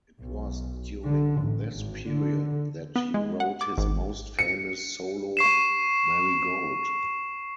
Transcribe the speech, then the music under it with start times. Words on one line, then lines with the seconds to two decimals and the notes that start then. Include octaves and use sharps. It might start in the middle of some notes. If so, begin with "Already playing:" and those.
It was during this period that he wrote his most famous solo 'Marigold'.
0.19 B1
1.04 D3
1.40 A1
1.73 G#1
2.08 D3
2.96 B3
3.14 G#3
3.40 F#5
3.61 D6
3.78 G#1
4.39 C#7
5.37 C#6 C7 E7